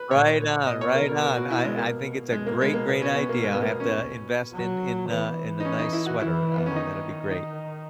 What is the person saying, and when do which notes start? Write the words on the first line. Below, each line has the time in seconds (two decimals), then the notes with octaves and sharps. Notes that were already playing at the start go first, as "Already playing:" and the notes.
Right on, right on. I I think it's a great, great idea. I'll have to invest in in a in a nice sweater, uh, that'd be great.
Already playing: B4
0.11 A#2 C#5
0.66 B2 D#5
0.81 C#5
0.95 A#4
1.08 A#4
1.22 A#4
1.36 F#4
1.51 E4
1.64 G#3
1.77 A#3
2.32 B2 G#3
2.47 A#3
2.61 G#3
2.74 A#3
2.89 B3
3.02 C#4
3.16 B3
3.29 A#3
3.44 G#3
3.54 B3
3.62 A#3
3.80 C#4
4.54 F#3
5.10 E3 B3
5.60 D#4
5.65 C#4
5.79 D#4
5.93 E4
6.06 F#4
6.20 E3 E4
6.57 B3
6.66 C#4
6.75 D#3 D#4
7.31 D#4